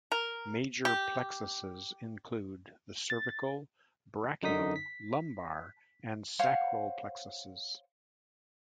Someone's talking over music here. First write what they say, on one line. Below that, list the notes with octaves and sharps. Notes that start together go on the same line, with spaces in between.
Major plexuses include the cervical, brachial, lumbar, and sacral plexuses.
A#4
G4
A6
F#2 D3 D#4 D#6 B6
B6
C5 C#5 F5 F#5